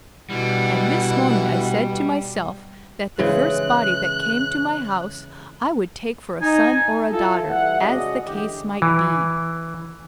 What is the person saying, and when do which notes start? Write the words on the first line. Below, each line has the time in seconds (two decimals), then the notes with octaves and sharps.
And this morning I said to myself that the first body that came to my house I would take for a son--or a daughter, as the case might be.
0.30 B2 D3 E3 G3 F#5
3.19 C#3 E3 G#3 F#6
6.42 D#4 G#5
7.12 E4 F4 A4
7.50 E3 G3 E5 F#5
7.81 C#3 G#3 F#4 D5 D#5
8.26 D3 E3 G4
8.82 E3